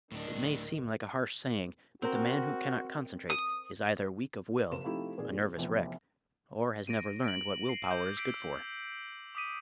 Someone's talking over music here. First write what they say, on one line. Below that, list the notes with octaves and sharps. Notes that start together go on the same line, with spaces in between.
It may seem like a harsh saying, but the man who cannot concentrate is either weak of will, a nervous wreck, or has never learned what will-power is good for.
D1 A2 D#3 D4
C4 F#4 A#4
D#6
F#1 A#3 E7
C3 F3 A3 D#4 E4 G4
G#1 A#2 D#3 G#4 D5
F1 A#1 E2
A#6 D7 D#7
D7 F#7
C7
D6 E6 G6
E6 B6 C7 D7
D6 D#6 B6 D#7